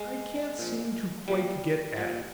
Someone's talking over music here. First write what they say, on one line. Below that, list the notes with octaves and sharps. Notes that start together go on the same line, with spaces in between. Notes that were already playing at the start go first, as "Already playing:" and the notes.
I can't seem to quite get at it.
Already playing: G#3
A#2 F3
A#2 F3 G3
A#2 F3